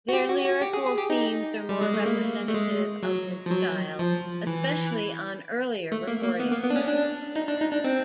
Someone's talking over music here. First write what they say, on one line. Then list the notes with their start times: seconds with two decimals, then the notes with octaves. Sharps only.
Their lyrical themes are more representative of this style, especially on earlier recordings.
0.09 F#4
0.13 G4
0.29 F#4
0.45 F#4
0.61 G4
0.73 G#4
0.85 G#4
0.98 G4
1.10 D#4
1.69 G3
1.81 G#3
1.94 A3
2.06 A#3
2.48 A3
2.54 G#3
3.03 F#3
3.46 F3
3.51 F#3
3.99 F3
4.47 E3
5.92 A3
6.08 A#3
6.24 A#3
6.40 B3
6.52 A#3
6.64 B3
6.70 D4
6.76 C#4
6.88 D4
7.36 D#4
7.48 D4
7.60 D#4
7.72 D4
7.84 C4